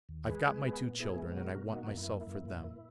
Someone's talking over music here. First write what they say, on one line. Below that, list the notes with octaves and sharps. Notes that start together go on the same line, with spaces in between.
I've got my two children and I want myself for them.
D#2
G#3 G#4 B4
G#3
B3
A#2
B3 E4 G#4
G#3
B2 F#4 A#4
B2
A#3 D#4 F#4
F#2
E4
A#3
E4
F#2
A#2
A#3